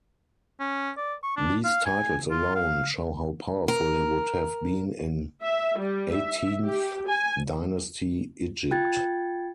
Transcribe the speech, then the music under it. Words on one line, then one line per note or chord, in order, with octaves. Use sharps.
These titles alone show how powerful he would have been in Eighteenth Dynasty Egypt.
C#4
D5
C#6
D4
F5
G#5
F4
F5
A#4
E5
G3
E5
G4
G#5
F4 G5 G#6 A6